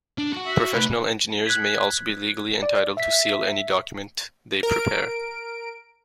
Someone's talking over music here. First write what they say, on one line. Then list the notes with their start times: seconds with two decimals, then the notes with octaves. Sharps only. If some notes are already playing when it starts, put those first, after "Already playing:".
Professional engineers may also be legally entitled to seal any document they prepare.
0.18 D4
0.33 F#4 F#5
0.47 E5
0.74 A3 D#4 B4
1.47 F#6 G#6 B6
2.63 D5
2.97 E5 B6
4.63 A#4 D7